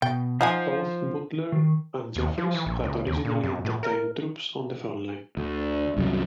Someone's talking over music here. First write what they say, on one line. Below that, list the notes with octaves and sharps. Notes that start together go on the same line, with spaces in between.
Both Butler and Jeffries had originally entertained troops on the frontline.
B2 G5
D#4 F4 C5 F5 F#5 G#5
D#3
D#2
F3
E3
A#1
C#2
D#2
A#2
F#2
A2
A#4
D2
C2 F#2 F#3